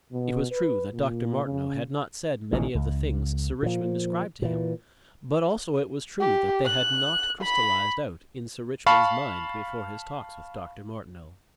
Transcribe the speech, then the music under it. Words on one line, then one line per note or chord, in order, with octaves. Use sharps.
It was true that Dr. Martineau had not said many of the things Sir Richmond ascribed to him, but also it was true that they had not crystallized out in Sir Richmond's mind before his talks with Dr. Martineau.
B2
B4
A#2
C#3
A1 A#2 D3 D#3
C#2
A#2 F3
A#2 E3
G4
F#6
B5
F5 A5 B5 C#6